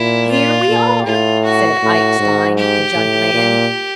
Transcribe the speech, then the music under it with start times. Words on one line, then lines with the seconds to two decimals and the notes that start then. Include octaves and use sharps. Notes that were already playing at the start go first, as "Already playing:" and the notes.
"Here we are," said Ike Stein, the junk man.
Already playing: A#2 E4
0.31 F4
0.69 A#2
1.06 A2 F4
1.44 F#4
1.82 A2
2.20 G#2
2.57 G4
2.95 A2
3.34 A#2